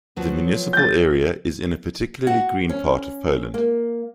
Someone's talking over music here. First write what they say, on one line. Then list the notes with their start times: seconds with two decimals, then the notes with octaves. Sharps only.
The municipal area is in a particularly green part of Poland.
0.16 F3 F#3 B3
0.73 G6 A6
2.27 F#4
2.69 C#4
3.54 A#3